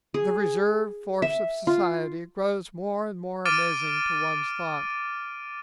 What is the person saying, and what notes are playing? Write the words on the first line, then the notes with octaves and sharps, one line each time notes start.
The reserve force of society grows more and more amazing to one's thought.
G#4
E5
F4
D6 F6 A6 D7 D#7